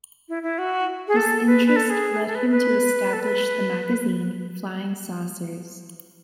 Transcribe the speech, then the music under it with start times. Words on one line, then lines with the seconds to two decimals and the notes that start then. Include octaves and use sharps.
This interest led him to establish the magazine "Flying Saucers".
0.29 E4
0.43 E4
0.58 F#4
1.08 G#4
1.16 A4
1.47 B4
1.67 B4
1.76 A4
1.90 G#4
2.27 A4
2.35 B4
2.50 B4
3.13 A4
3.22 B4